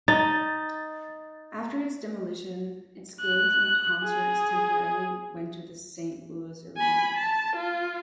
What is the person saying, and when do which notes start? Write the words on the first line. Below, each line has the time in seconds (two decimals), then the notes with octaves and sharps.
After its demolition, its games and concerts temporarily went to the Saint Louis Arena.
0.08 D#4 A6
3.22 F#6
4.06 G#4
6.77 G#5 B5
7.17 A5
7.56 F4